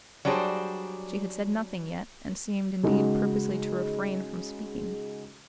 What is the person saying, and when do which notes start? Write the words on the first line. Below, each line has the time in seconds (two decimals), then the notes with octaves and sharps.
She had said nothing yet, and seemed, indeed, purposely to refrain from speaking.
0.25 F#3 G3 D4 G#4 C5
2.83 C#3 G#3 D#4 F#4